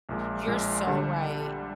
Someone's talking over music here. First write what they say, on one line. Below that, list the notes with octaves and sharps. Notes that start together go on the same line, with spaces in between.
you're so right.
A#1 A#2 G#3
A#1 A#2 G#3
D3 G3 D4